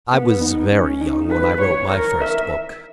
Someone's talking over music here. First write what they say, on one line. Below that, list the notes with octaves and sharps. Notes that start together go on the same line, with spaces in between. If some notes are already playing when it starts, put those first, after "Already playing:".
I was very young when I wrote my first book.
B3
D#4
C#4
D#4
B4
C#5
A#4
E5